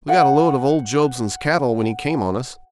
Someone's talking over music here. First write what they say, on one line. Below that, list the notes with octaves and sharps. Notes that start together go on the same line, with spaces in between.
We got a lot of old Jobson's cattle when he came on us.
F#5 G5